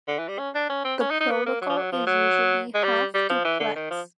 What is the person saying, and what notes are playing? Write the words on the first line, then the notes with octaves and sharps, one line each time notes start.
The protocol is usually half-duplex.
D3
E3
G3
C#4
D4
C#4
C4
C#4
D#4
D#4
B3
A#3
F#3
F3
F#3
F3
F#3
G#3
G3
G3
F3
E3
D3
D#3
F3